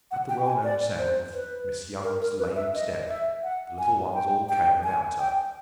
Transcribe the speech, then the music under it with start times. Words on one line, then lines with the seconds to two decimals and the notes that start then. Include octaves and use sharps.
At the well-known sound of Miss Young's lame step, the little ones all came about her.
0.11 F#5
0.29 G5
0.46 G#5
0.64 D5
0.99 C5
1.34 B4
2.04 A#4
2.21 A#4
2.39 B4
2.56 E5
2.74 D#5
3.09 E5
3.43 F#5
3.79 G#5
4.14 G5
4.49 G5
4.84 G#5
5.19 G5